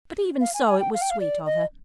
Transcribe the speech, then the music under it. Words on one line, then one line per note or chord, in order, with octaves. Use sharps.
But even so it was sweet of her.
F5
G#5
G#5
G5
F5
G5
F5
D5
D#5